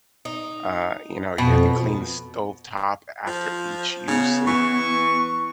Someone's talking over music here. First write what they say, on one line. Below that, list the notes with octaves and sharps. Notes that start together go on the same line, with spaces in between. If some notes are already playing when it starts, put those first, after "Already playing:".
uh, you know, you have to clean the stove top after each use and
D#4
F2 B2
F3
C#3 B3
E3 C#6